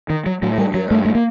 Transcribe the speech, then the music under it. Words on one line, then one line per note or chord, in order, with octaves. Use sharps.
Oh, yeah.
D#3
F#3
A2 F#3
G3
F#3
G2 A3
A3
A#3